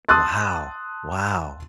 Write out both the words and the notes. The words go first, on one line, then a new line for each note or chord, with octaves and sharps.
Wow. Wow.
A5 C6 D#6 E6 F#6 A6